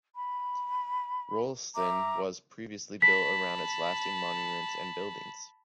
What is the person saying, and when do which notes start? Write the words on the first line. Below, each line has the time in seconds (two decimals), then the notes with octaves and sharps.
Rolleston was previously built around its lasting monuments and buildings.
0.15 B5
1.76 E5 A#5 D6
3.02 A5 B5 B6